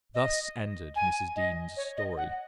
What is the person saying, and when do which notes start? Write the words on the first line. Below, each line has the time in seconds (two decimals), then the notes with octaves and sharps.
Thus ended Mrs. Dean's story.
0.15 D#5
0.96 G#5
1.36 D#5
1.77 C#5
1.97 D#5
2.17 F#5